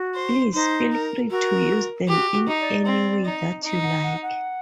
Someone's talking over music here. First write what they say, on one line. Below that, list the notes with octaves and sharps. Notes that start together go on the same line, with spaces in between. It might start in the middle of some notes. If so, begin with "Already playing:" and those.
Please feel free to use them in any way that you like.
Already playing: F#4
C5
D#4 C5
A#4
F#4 A#4
F#4 G4
F#4
D#4
D5
C4
D#4
D#4 D#5
F#5
F#5
F#5